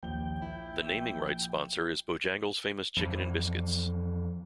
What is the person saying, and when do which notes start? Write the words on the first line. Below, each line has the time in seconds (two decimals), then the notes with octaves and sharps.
The naming-rights sponsor is Bojangles' Famous Chicken 'n Biscuits.
0.03 A#1 D#2 G5 G7
0.42 E4
2.97 F2 E3